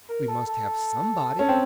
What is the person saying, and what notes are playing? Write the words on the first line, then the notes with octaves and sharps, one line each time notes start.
"We must have somebody!"
A#4
A4
A4
C#4 A4
C4